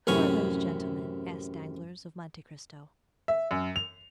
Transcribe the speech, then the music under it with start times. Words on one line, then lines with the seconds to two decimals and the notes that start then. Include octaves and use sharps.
"Who are those gentlemen?" asked Danglars of Monte Cristo.
0.07 A1 F#2 C3 F5 G#5 C#6
3.28 E5
3.51 F#2
3.76 F7